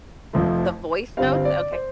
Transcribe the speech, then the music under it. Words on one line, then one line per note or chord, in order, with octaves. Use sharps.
the voice notes? Okay.
F1 F2 F3 A3
G1 G2 G3 C4 F5
D5
C5